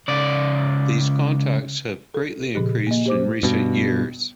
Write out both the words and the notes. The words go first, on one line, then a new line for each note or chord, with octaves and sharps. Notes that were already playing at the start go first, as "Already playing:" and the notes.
These contacts have greatly increased in recent years.
C#2 D5
A4
A#2 C#3 F3 G4
A#3 D#5
G4 C5 D6
G2 B2